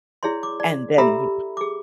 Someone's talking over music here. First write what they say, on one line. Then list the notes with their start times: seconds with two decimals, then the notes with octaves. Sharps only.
and then, w
0.23 E4 G#4 C#5 D5 C6
0.43 D6
0.60 D5
0.98 G4 A4 E5 A#5 B5 E6
1.57 G#4 D6